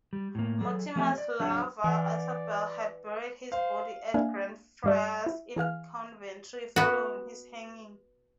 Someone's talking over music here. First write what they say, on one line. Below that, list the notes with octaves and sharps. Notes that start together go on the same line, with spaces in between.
Mortimer's lover Isabella had buried his body at Greyfriars in Coventry following his hanging.
G3
A2 A#3
F#3 G#4 A4
F3 A3 C4 G4 E5 G#5
D5
F#3 D4 G#4 C#5 F#5
E3 D5 F#5 G#5
C5 F5
A#3 D4 E4 F5 G#5
G2 G3 D5
E4
E3 G#4 F5 F6
B3 F#4